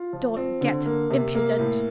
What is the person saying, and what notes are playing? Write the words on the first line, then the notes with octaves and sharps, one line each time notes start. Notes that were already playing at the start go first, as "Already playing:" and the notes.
"Don't get impudent."
Already playing: F4
F3
C4
D3
A#3
C3
A#3
A2